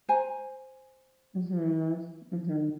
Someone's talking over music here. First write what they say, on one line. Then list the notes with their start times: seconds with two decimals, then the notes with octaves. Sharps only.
Mhm. Mhm.
0.09 C5 G#5 A#5